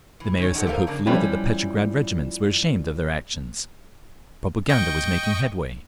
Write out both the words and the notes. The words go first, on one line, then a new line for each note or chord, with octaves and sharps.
The Mayor said hopefully that the Petrograd regiments were ashamed of their actions; propaganda was making headway.
E3
D#3 C#4 C#5
G#2 F#3 F#4 G4 A4
G4 A4 A#4 C5 E5 F5
F2 C#3 A#3 D4
E3 F3 G3 C#4
D#5 G5 C#6